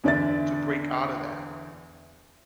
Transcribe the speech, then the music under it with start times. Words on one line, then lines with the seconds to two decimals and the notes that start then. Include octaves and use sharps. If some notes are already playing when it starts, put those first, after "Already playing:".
to break outta that,
0.04 E2 D3 D5 E5 A6